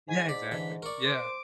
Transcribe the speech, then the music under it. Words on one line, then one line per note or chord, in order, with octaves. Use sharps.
Yeah, exactly. Yeah.
G#2 G#5
D5 B6
D3 E3
A#4 D5 C#6
C5 D6